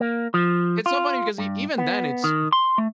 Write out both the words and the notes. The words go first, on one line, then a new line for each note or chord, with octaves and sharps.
It's so funny because e even then, it's,
A#3
F3
F4
G2
B3
D#3
C6
A3